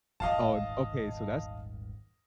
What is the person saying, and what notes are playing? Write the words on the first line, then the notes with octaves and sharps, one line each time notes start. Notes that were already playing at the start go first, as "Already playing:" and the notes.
Oh, an okay, so that's
D#1 G#1 D#3 D#5 F5 A5